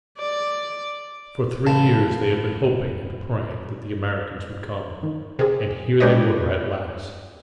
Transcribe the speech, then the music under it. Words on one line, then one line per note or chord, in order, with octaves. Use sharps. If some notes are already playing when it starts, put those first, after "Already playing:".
For three years they had been hoping and praying that the Americans would come--and here they were at last!
D5
A1 F5 A5
D#3
C3 G#4
G#3 D4 G4 B4 C#5 D#5